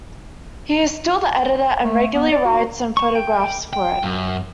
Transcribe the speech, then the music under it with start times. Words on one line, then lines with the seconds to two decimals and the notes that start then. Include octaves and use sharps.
He is still the editor and regularly writes and photographs for it.
1.84 A3
2.14 B3
2.31 D5
2.45 F#4
2.97 C#6
3.15 G5
3.73 G5
4.03 F#2